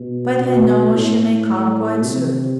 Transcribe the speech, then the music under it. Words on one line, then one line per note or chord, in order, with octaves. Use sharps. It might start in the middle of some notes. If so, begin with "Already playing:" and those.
But I know she may come quite soon.
Already playing: B2
B2
A2
C3